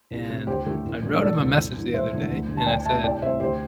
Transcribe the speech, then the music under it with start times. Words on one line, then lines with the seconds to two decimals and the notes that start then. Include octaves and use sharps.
and I wrote him a message the other day, and I said,
0.11 C2
0.30 C3 A3
0.47 D2 G4 C5
0.66 D3 A3
0.84 A1
1.03 G2 D3 A3
1.20 E1 A4 D5
1.39 D2 C3 A3
1.57 G1
1.75 G2 E3
1.94 E1 C5 E5
2.12 E2 D3 A3
2.30 D2
2.48 D3 G3
2.57 A5
2.67 D2 D5 G5
2.85 C3 E5 A5
2.89 A3
3.03 C2 D5 G5
3.22 C3 C5 E5
3.25 A3
3.40 D2 G4 C5